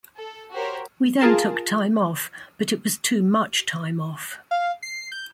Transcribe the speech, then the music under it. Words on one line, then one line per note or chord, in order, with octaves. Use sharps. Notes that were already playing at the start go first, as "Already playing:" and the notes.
We then took time off, but it was too much time off.
A4
F#4 G4 A#4 C5 C#5
F4 G#4 A#4 A5
F5
C7
G6